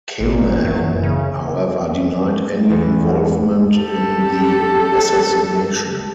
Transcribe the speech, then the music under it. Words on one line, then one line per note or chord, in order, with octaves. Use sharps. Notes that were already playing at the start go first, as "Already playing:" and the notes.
Kanaan however denied any involvement in the assassination.
G#1 A#2
F#2 E3
C#3
E2
G4 A4